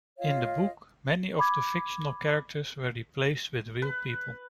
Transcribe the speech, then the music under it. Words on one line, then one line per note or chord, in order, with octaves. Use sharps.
In the book, many of the fictional characters were replaced with real people.
F4 C#5 D#5 F5
B5 D6 G#6
B4